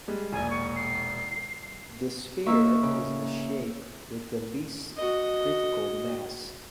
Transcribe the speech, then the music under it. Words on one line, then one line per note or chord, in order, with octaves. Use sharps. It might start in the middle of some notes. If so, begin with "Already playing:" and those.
The sphere is the shape with the least critical mass.
G3 G#3
E1 A#1 G#5
C#6
C7
A#3 D#4 E5 C#6
C#3
F#4 D#5